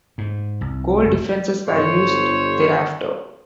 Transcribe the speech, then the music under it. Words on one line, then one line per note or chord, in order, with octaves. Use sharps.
Goal differences were used thereafter.
G#2
C2
F#1
G1 C5 C#5